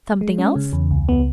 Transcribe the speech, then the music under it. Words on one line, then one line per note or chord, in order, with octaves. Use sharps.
"Something else?"
G#3
C#4
C#3
E2
C#2
B3